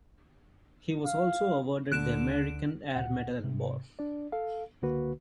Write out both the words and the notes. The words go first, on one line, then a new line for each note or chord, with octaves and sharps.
He was also awarded the American Air Medal and Bar.
F5
D2 D3 F#6 D7 E7
D2 A#2 F#5
G#2 C3
D4 D5
A4 F5
C#2 D3 A#3 F#4 B4